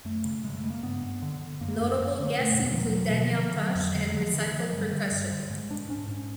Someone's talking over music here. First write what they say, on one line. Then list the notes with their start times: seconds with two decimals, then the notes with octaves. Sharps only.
Notable guests include Daniel Tosh and Recycled Percussion.
0.05 F#2 A3
0.25 C#3
0.44 C#3 G#3
0.57 A3
0.64 C#3
0.70 A#3
0.83 G2 B3
1.03 G2
1.22 D3
1.41 D3
1.61 F#2 A#3
1.80 F#2
2.00 F#2
2.20 D3
2.39 B2 A3
2.58 E2 G#3
2.72 F3
2.77 B2 F#3
2.97 B2
3.05 E3
3.16 D3 F3
3.36 D3 F3
3.55 D3 F#3
3.75 F2
3.95 D3 G3
4.08 F#3
4.14 D3
4.21 F3
4.34 D3 E3
4.47 E3
4.53 D3
4.59 F3
4.72 G2 G3
4.92 D3
5.12 G2
5.31 D3
5.50 G#2 G#3
5.70 G#2 D4
5.89 G#2 C#4
6.09 G#2